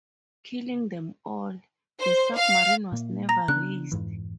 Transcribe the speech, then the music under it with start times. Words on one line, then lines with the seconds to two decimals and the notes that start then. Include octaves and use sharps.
Killing them all, the submarine was never raised.
2.00 C5
2.36 F5
2.92 A#2 A#3
3.29 A#5 A#6
3.48 C#3 B3 D4 F#6
3.92 F2 G#2 E3